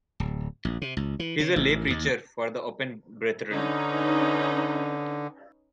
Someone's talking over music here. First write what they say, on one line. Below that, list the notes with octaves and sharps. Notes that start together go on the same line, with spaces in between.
He is a lay preacher for the Open Brethren.
D1
A#1
C3
C#2
E3
C#3
A1
D#2
D3 C#4 D#4 B4